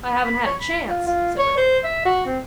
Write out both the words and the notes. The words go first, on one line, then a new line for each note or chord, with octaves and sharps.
"I haven't had a chance," said Richard.
B5
C#5
B5
F4
F4
C#5
C5
E5
F#4
C4